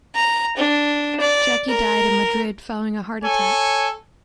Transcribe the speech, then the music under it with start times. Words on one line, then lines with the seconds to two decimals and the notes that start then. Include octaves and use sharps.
Jaki died in Madrid following a heart attack.
0.15 A#5
0.57 D4
1.20 D5
1.69 A#4
3.23 A4 C#5 G#5